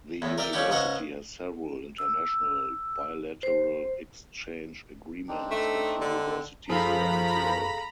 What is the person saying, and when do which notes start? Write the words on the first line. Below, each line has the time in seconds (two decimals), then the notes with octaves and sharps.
The university has several international bilateral exchange agreements with Universities around the world.
0.22 E2 A2
0.38 A#4 D5 E5 G5
0.53 D#2 G3 C#4 F#4 G4 D6
0.70 C#2 G#2 C#4 D#5 F#5 C#6
1.98 E6
3.43 C5
5.28 C4 D4 D#4
5.51 A3
6.01 D3
6.69 F#2 F3 G#4 A4 F5 A#5 B5